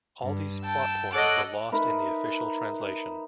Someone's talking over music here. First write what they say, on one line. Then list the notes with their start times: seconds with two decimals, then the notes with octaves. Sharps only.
All these plot points were lost in the official translation.
0.22 G2
0.63 G5 A5 E6
1.14 A4 C#5 D#5 F#5 D6 F#6
1.72 D#4 A#4 B4 E5